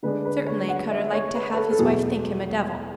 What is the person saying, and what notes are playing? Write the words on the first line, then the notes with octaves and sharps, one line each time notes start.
Certainly Cutter liked to have his wife think him a devil.
D3 G#3 D4 B4
B4
C#5
F#5
E5
C#5
B4
B4
A4
A4
E2 B2 F#3 A3 G#4